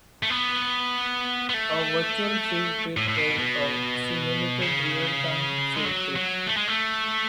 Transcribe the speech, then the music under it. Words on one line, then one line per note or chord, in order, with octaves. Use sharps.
A Virtual field trip is a simulated, real-time field trip.
A3
B3
B3
A3
A2
A2
B2
B2
C#3
G#3
F#3
F#3
A3
G#3
A3